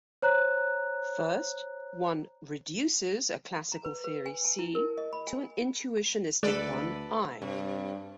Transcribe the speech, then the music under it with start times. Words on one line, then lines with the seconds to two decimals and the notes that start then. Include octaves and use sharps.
First, one "reduces" a classical theory C to an intuitionistic one I.
0.22 C5 C#5 A#5 F#6
3.72 A#5
3.85 B4
4.04 B4
4.26 G#5
4.45 A5
4.59 E4
4.75 A#4
4.98 D#5
5.13 B5
5.27 G#5
6.43 D2 G#3 A4 B4 D5
7.42 G2 C3